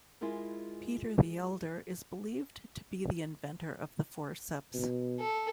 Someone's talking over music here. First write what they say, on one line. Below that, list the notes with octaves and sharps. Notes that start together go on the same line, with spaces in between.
Peter the Elder is believed to be the inventor of the forceps.
G#3 E4 F4 G#4 A#4
B2
A4